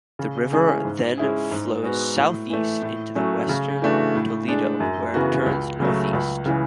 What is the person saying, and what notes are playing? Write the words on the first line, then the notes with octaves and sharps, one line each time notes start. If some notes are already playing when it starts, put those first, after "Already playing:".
The river then flows southeast into western Toledo, where it turns northeast.
C#3
E3 G#3 C#4 G#4
G#2
G#3 C#4 E4 G#4
G#2
G#3 B3 F#4
A2
E3 A3
A2
F#3 A3 C#4
C#3
E3 A3 D4 F#4
A2
G#3 D4
F#2
C#3 E3 B3 F#4
C#2
C#3 F#3 A3
C#2
C#3 E3 G#3